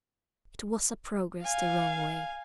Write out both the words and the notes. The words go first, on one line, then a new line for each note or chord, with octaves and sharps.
It was a progress the wrong way.
F5 G#5